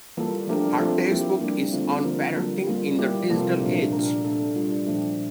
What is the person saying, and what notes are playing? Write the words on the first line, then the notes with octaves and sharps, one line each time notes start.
Her next book is on parenting in the digital age.
E3 G3 A#3 F4 A4
F3 A3 D4 G4 A#4
F3 A3 C4 F4 A4
F3 A#3 E4 G4
G3 A#3 D4
D3 A3 C4 F4
D3 F3 A#3 F4 A#4
G3 A#3 F4 A4
G3 A#3 F4
G3 A#3 E4 G4
C3 F3 A#3 F4 A4
A#2 F3 A3 D4
A#2 A3 D4 G4 A#4
A3 D4 A4
G3 D4 F4
A#2 F3 A3 D4 G4